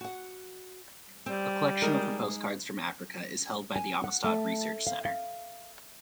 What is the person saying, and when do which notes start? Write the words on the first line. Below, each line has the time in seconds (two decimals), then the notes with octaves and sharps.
A collection of her postcards from Africa is held by the Amistad Research Center.
0.01 F#4 F#5
1.26 G3 C4
1.82 G#3 D#4 A#4
3.76 G#5
4.04 F#5
4.24 A3
4.87 F5
5.05 F5